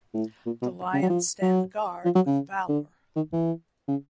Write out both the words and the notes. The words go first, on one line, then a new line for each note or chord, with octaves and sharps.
The lions stand guard with valor!
A2
A#2
B2
C#3
F#3
F3
F#3
F3
F#3
C#3
D3
D#3
E3
C#3